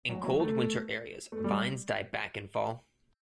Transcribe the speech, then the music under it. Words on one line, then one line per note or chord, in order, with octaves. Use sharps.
In cold winter areas, vines die back in fall.
F#3
F#3
A3
A3
G3